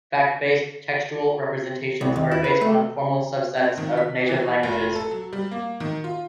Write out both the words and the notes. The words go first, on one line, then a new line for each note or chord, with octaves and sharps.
Fact-based textual representations are based on formal subsets of native languages.
C2
D#2
E4
B4
A3
C4
D#3
B6
E3
F1
A4
F#3
G3
A#3
D#3
F4